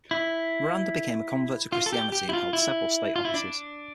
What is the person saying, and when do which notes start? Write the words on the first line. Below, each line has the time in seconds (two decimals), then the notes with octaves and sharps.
Miranda became a convert to Christianity and held several state offices.
0.11 E4
1.72 F4
1.86 A4
1.93 G4
2.12 G4
2.29 E4
2.33 F4
2.53 E4
3.16 F4
3.25 E4
3.34 D4